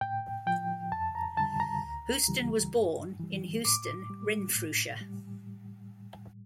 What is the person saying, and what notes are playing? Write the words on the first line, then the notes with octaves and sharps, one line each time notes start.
Houstoun was born in Houston, Renfrewshire.
A2 G5
F3 G5
F2 A5
A#5
D3 G3 A5
A#5
D2
C#3 E3 G3
G2
E3 G3
A2 D6
G3
A2
G3